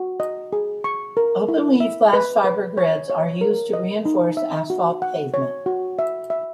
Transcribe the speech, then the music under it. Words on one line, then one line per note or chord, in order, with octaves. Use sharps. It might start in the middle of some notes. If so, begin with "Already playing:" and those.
Open-weave glass fiber grids are used to reinforce asphalt pavement.
Already playing: F#4
D#5
G#4
C#6
A#4
E4
E5
B4
B4
C#5
C#5
A#4
D#5
D#4
E5
F#4
F#5
C#5
F#4
E5
E5